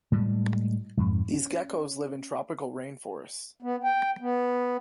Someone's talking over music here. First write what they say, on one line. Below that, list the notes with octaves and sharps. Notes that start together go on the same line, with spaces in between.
These geckos live in tropical rain forests.
A2 G3 G#3
F2 G#2
C#4
B3
G5
B3